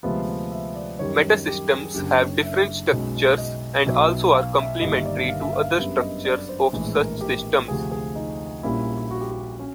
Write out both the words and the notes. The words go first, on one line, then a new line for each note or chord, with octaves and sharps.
Meta-systems have different structures and also are complementary to other structures of such systems.
D2 C3 F3 G#3 B3 E5
E5
D5
F#2 D#3 G3 C#5
G4
G#4
F#1 F#2 D3 G4
C#5
E5
B1 B2 G#3 C#4
D#5
B1 B2 F#3 B3 E5
F5
E5
G1 G2 D#3 G3 A#3 D#5
E5
D5
E5
F5
E5
F5
F5
F#2 D3 G3 B3 E5
D#5
D5
C5
A#1 A2 E3 G#3
A#4
G4
D2 C3 F3 G#4
G#4
D#4
A#1 A#2 G3 A#3 C#4 E4
F#4
G4
F#4
C#4